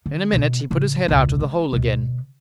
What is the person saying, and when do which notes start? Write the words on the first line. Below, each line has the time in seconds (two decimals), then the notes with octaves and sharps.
In a minute he put his head out of the hole again.
0.06 D3
0.33 B2 B3
0.70 A2 C#3
1.08 E1 C#2
1.41 G#3
1.73 D2 B2